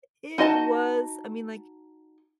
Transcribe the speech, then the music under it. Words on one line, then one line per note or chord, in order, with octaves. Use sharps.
I It was. I mean, like,
D#4 F#4 D#5 A5